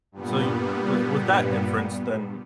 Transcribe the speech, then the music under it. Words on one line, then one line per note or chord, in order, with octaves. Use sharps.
so you with with that inference, then
G2 A#2 G3 B3